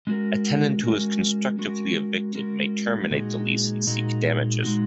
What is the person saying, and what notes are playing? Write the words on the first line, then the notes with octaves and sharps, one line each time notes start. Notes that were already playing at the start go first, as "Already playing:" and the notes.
A tenant who is constructively evicted may terminate the lease and seek damages.
G#3 C#4 F#4 A#4
G#3 C#4 F#4 A#4
G#3 C#4 F#4 A#4
G#3 C#4 F#4 A#4
A#2 G#3 D#4 F#4
A#2 G#3 D#4 F#4
A#2 G#3 D#4 F#4